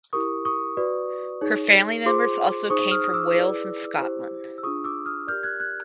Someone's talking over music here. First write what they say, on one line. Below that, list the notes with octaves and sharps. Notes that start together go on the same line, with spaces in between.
Her family members also came from Wales and Scotland.
E4 G4 A#4 C#6 D#6
C#6 D#6
F#4 B4 D5
D#4 G#4 C#5
F4 G#4 C5 C6 D6
D#4 G#4 C5 C#6 D#6
D#6 F6
D#6
D6 E6
E4 G#4 B4 D5
E4 G4 C5
E6
D4 F4 G#4 C#6 D#6
D6 E6
D#6 F6
G4 A#4 D5 F6 G6
F#6 G#6
F#6 G#6